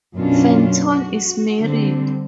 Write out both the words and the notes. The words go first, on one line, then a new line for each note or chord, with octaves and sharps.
Fenton is married.
F#2 B2 F#3 C#4 D4 F4
F#4
D3 G3 C4